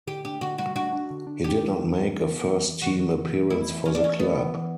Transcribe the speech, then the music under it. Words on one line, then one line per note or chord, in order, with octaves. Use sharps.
He did not make a first team appearance for the club.
D3 G4
D4 G4
D3 F#4
G3 F#4
D4 F#4
D4
D3
D4
D4 G4
E3
D4
D4
E3
B3
E3
E3
E3 F#4
E3
E3
E3
A3 E4
E3
E3 C#4
D4
E3 C#4
A3 B3
E3
E3